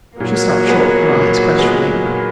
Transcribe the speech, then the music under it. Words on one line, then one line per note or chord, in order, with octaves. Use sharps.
She stopped short, her eyes questioning.
A#2 F#3 A#3
G#3 B3
A#2
G#3 B3
A#2